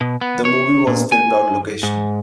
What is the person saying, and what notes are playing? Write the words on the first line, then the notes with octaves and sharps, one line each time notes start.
The movie was filmed on location.
B2
B3
C#5
A#2
G#5
G#2